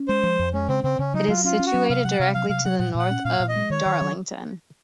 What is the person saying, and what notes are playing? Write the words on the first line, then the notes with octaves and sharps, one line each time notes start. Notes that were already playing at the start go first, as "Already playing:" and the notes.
It is situated directly to the north of Darlington.
Already playing: C#4
G#3 C5
F3
F2
G#3 C#4
C#3 C4
C#3 C4
C#3 C#4
F#3 D#4
F#3 F4
C#4 F4
C#4
F#4
F#3
C3 F5
F#3 F#5
C3 F5
F#3 F5
C3 F5
F#3 F#5
A#2 F#5
A#2 F#5
C#4
A#2 F5
A#2
D#5
G#3
D#3 C#5
D#3
F#3